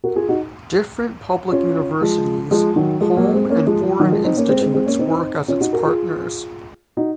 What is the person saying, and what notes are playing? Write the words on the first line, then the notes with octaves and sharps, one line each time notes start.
Different public universities, home and foreign institutes work as its partners.
F#4 A#4
F4 G#4
D#4 F#4
C#4 F4
F3 G#3
F3 G#3
D#3 F#3
F3 G#3
F#3 A#3
G#3 C4
A#3 C#4
F3 G#3
F3
D#3 F#3
F3 G#3
C4 D#4
A#3 C#4
G#3 C4
G#3 C4
G#3 C4
A#3 C#4
C4 D#4
C#4 F4
D#4 F#4
F#4 A#4
F4 G#4
D#4 F#4